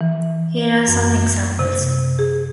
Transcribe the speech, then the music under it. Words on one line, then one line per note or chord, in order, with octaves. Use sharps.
Here are some examples.
E3
F#2
C3
G#4